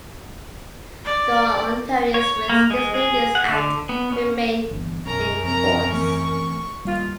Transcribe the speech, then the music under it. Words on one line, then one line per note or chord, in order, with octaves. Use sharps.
The Ontarians with Disabilities Act remains in force.
D5
C#5
A#3
G#3
G#4
F#5
D3
B3
C#4
G1 E2
B1 F#2 C#4 A#4 A#5
F2 C3 A#5
E3 A3 C4 C#6
D#2 D#3 G3 F4